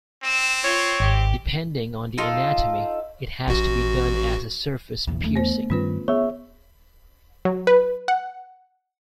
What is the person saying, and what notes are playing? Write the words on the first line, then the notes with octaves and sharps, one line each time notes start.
Depending on the anatomy it has to be done as a surface piercing.
C4 E6
F4 C#5
G#1 G4
D#4 F4 A4
A1 F#4
A#1 E2 C#3
A3 D4
B3 C5
G2 D#3 G3 C#4 F4 B4
B3 G#4 C#5 E5
F#3
B4
F#5